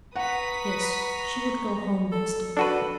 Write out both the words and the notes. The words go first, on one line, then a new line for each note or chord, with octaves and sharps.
Yes, she would go home next day.
B4 F#5 A#5 C#6 D#6 B6
A4
D4 F#4 A4 B4